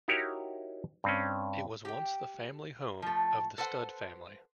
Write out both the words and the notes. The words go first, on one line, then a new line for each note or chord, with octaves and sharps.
It was once the family home of the Studd family.
D#4 E4 F#4 G4 A#4 C#5
G2 C4 C#4
G4 G5
F3 A3
A4 B4 C5 F#5